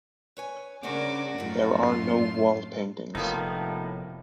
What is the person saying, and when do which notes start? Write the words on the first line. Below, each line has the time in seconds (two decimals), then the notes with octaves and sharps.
There are no wall paintings.
0.37 B4 C#5 G#5
0.83 G2 C#3 D4 F#4 A#4 C5 D6
1.38 F#2 A2 F3 A3 D#4 F4
1.84 C6
3.15 F1 F2 A2 F3 A#3 B3 D#4